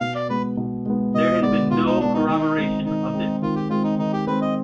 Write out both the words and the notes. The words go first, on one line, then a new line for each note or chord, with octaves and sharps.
There has been no corroboration of this.
B2 F5
D5
G#3 B3 B4
B2
G#3 B3
B2 D#5
G#3 B3 D5
B2 F4
D#4
G#3 B3 D4
D#4
D#3 D#4
G#3 C4
D#3 D#4
G#3 C4
D#3 F4
G4
G#3 C4 F4
D#4
D#3 D#4
G4
G#3 C4 B4
D#5